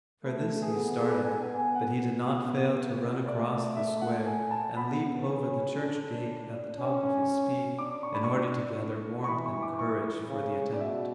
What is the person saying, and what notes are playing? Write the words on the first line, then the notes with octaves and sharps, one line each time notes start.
For this he started; but he did not fail to run across the square and leap over the church-gate at the top of his speed, in order to gather warmth and courage for the attempt.
A3 B4
A4
A4
G#4
B3
G#4
A4
B4
B3 G#5
G#5
G#5
F#5
A3 D5
E5
F#5
G#5
A5
B3 B5
C#4
D4
C#4
D4 D6
C#6
B5
C#6
C#6
E3 B5
C#6
D6
C#6
C#3
D5
B2 E5